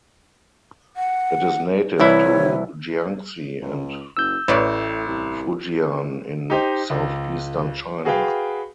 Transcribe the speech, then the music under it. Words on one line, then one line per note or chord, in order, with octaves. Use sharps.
It is native to Jiangxi and Fujian in southeastern China.
F#5
C2 E3 E4 C#5
C#2
F#1 E6 G6
A1 A2 B4 C#5 D5
C2
D#4 G4 C5 D#5
C#2
F#4 G#4 B4 F5 G5